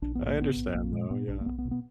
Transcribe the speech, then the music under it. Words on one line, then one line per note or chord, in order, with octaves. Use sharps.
I understand, though, yeah.
A#1 D4
G#2 B3
A#3
G#2 B3
A#1
A#1 A#3
A#2 G#3
A#2 B3
A#1 D4
A#3
B1 B3
B3
B2
B3